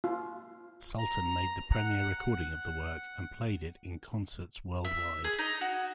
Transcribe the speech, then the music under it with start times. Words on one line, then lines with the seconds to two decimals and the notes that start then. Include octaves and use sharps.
Sultan made the premiere recording of the work and played it in concerts worldwide.
0.04 F4
0.99 A#5
1.73 F#5
2.19 F#5
4.85 E5
5.24 G#4
5.39 D#4
5.61 F#4